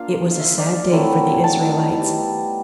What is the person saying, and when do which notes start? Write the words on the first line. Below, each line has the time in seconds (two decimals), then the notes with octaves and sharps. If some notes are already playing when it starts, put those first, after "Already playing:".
It was a sad day for the Israelites.
Already playing: A#3 D4 F4 F5
0.31 F5
0.39 E5
0.58 D5
0.92 F#3 A3 C4 E4
1.44 A5
1.96 G3 B3 D#4